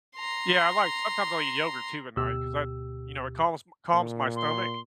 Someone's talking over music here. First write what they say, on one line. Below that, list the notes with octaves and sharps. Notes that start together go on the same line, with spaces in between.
Yeah, I like sometimes I'll eat yogurt too at night 'cause I you know, it calms calms my stomach.
A#5 C6
D2 B2 G4 E6
A#2
C6